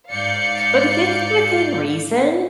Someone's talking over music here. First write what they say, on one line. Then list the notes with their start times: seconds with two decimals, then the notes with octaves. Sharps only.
But if it's within reason,
0.13 G#2 D5 F5 G6 C#7